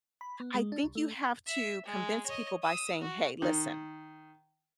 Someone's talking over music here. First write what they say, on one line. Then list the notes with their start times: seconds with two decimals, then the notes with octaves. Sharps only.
I think you have to convince people by saying, “Hey, listen,
0.21 B5
0.40 B3
0.54 G#3
0.72 D4
0.83 C2
0.95 A3
1.47 E5
1.85 G#3
2.26 C#5 D#5
2.62 D#6 E6
3.01 F#4
3.42 D#3